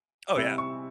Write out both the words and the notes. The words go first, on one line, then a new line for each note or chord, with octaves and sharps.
Oh, yeah,
C3 G3 C4 E4 E6
C#6